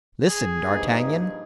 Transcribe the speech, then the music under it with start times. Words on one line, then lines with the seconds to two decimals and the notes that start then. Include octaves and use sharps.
Listen, D'Artagnan.
0.27 G#4
0.64 G2 F3 A#3 D#4